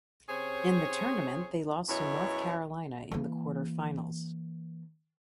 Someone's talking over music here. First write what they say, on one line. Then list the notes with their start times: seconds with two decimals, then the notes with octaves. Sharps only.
In the tournament they lost to North Carolina in the Quarterfinals.
0.28 C3 C#4 G#4 C5 C#5
1.89 F#2 B2 G#3 E4 C#5
3.11 E3 A#3